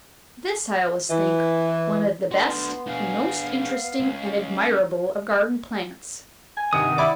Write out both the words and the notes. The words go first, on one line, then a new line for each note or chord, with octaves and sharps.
This I always think one of the best and most interesting and admirable of garden-plants.
E3
B3 D4 F#4 C6
D4 G#4 F5
C#2
G#5
G2 C3 D#3 F#5 D#6
E4 D5 D6